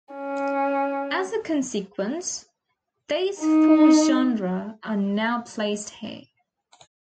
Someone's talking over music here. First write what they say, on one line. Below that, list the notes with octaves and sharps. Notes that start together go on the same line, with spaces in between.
As a consequence, these four genera are now placed here.
C#4
D#4